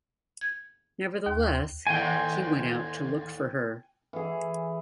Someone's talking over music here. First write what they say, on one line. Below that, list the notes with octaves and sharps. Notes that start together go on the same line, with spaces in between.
Nevertheless, he went out to look for her.
G#6
D#2
D#2 A2 G5 G#5
E3 G#4